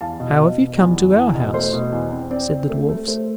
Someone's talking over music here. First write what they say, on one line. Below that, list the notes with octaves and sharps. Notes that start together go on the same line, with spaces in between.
"How have you come to our house?" said the dwarfs.
E2 F5 A5
B2
B2
B2
E2
E2
E2
B2
A3 C5
B2
E2
C4
C4 D5
C4
A3
A3
A3 C5